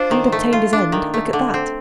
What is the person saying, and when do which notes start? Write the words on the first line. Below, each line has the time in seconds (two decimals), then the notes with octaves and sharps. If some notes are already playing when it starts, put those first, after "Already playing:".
"And obtained his end; look at that."
Already playing: D4 F4 C5
0.11 D#3
0.32 A3
0.53 F4
0.73 D4
0.92 D#3
1.14 A3
1.33 D3
1.54 C4